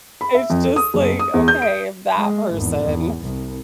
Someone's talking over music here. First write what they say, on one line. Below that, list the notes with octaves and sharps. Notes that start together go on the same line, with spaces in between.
It's just, like, okay, if that person
B5
E5
F2
A4
D#6
F#1
D#6
E2
G6
D7
G#3
G#1 E2
E2
C2